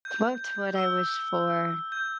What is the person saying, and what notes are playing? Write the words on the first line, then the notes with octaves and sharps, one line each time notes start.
what would I wish for?
G6
E6
G6